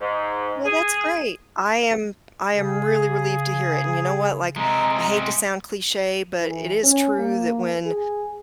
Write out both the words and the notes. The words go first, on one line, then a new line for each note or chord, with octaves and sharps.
Well, that's great. I am I am really relieved to hear it. And you know what, like, I hate to sound cliché, but it is true that when
G#2
G#4
C#3 G#4
C3 G#3 A#5
E3
C#4
A#3
G#4